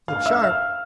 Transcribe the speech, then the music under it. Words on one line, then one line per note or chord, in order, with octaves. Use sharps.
Look sharp!
F5 F6
E5 E6
F5 F6